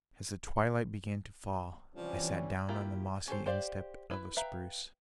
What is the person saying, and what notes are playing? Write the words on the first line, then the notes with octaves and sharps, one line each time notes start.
As the twilight began to fall, I sat down on the mossy instep of a spruce.
C3 E3 F3 G3 C#4
A#3 E4 F4 G4
C#4 G4 A4 C5
G4 C5 D5 F5
E4 B4
B4 E5 F5 G5 A#5